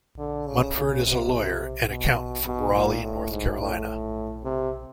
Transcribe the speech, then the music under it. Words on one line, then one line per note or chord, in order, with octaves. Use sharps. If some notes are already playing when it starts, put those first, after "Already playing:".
Munford is a lawyer and accountant from Raleigh, North Carolina.
D3
C#3
C#3
C3
B2
B2
A#2
A2
G#2
A2
C3